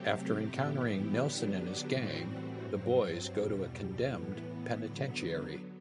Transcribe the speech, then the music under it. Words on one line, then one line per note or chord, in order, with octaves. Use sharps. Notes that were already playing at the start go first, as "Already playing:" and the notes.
After encountering Nelson and his gang, the boys go to a condemned penitentiary.
Already playing: C3 F#3 A3 C4 G4
A2 E3 B3 E4 G4
D3 F#3 B3 D4 G4
A2 E3 G3 C4 F#4
G2 F#3 C4
E2 B2 G3
A2 E3 B3
D3 F#3 B3